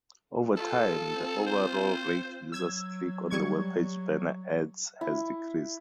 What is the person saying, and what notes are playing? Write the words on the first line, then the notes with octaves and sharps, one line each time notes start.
Over time the overall rate users click on webpage banner ads has decreased.
F4 A4
C4 F4
C5
F#3 E6 G#6
G3 C#6 G#6
E4